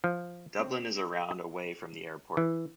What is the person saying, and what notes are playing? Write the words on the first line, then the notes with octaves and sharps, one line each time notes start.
Dublin is around away from the airport.
F3
C4
E3